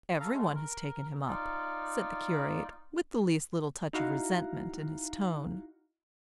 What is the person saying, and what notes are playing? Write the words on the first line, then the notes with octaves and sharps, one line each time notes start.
"Every one has taken him up," said the curate, with the least little touch of resentment in his tone.
A4 F5 A#5
G#3 A3
A#4
D#4 F4 D5
D#4 E4 F#4 F5 F#5 A#5